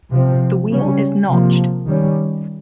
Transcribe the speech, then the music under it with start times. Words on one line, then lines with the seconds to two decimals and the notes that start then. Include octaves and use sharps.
The wheel is notched.
0.11 C3 F3 C4
0.69 C#3 G3 C#4
1.27 C3 F3 A#3
1.85 D#3 G3 C#4